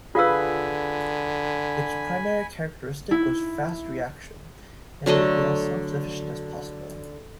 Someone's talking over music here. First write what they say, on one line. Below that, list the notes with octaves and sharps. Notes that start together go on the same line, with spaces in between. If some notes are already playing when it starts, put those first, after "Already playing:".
Its primary characteristic was fast reaction, and it would be as self-sufficient as possible.
D3 F4 G#4 B4 F5 G#5 B5 E6
E4
D3 F#3 A3 D#5